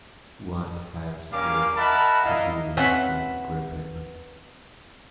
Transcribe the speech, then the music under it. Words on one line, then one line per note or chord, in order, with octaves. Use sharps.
What has this to do with Griffin?
G3 A#3 C#4 A#4 F5 D6
A#4 D#5 E5 F#5 A5 B5
D4 E4 A#4 D#5 F5
C4 C#4 F4 B4 E5 F#5